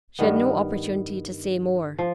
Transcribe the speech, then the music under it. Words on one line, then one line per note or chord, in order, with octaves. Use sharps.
She had no opportunity to say more.
G2 D#3 B3
F3